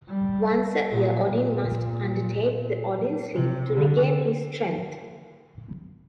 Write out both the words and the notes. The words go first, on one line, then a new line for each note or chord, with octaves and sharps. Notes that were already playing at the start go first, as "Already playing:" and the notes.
Once a year Odin must undertake the Odinsleep to regain his strength.
G3
A#2
A#2
C3
D3